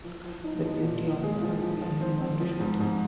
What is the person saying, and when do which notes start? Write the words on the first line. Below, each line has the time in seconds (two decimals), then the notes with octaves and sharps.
The beauty of the night made him want to shout.
0.04 F3
0.24 F3
0.44 D#4
0.64 F3
0.83 A#2
1.03 A#2
1.23 G#3
1.42 F3
1.62 F3
1.81 F3
2.01 C4
2.21 C4
2.40 F3
2.60 G#2
2.80 G#2